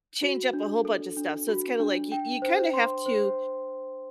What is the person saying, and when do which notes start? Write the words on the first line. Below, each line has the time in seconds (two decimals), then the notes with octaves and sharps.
change up a whole bunch of stuff, so it's kind of like y you kind of have to
0.23 F#4
0.53 D4
0.85 A4
1.17 D4
1.48 F#4
1.80 D4
2.12 G5
2.42 C5
2.73 C6
3.06 C5